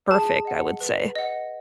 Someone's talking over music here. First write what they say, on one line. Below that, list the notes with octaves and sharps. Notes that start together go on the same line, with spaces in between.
perfect, I would say.
G#4 A5
D#5 F#5
B4
D#5 F#5